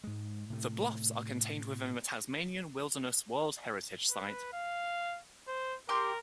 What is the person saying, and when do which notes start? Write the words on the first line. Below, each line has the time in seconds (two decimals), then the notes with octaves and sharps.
The bluffs are contained within the Tasmanian Wilderness World Heritage Site.
0.04 G#2 G#3
0.50 A2 C3 A3
4.10 B4
4.54 F5
5.48 C5
5.89 G4 A#4 C6 D6